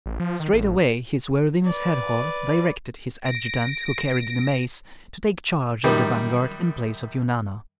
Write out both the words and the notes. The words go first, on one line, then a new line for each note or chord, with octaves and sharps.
Straightway his worthiness Herhor directed his adjutant who carried the mace to take charge of the vanguard in place of Eunana.
A1
F3
D#3
A1
B4 D5
A#6 D7
F#2 D#3 G3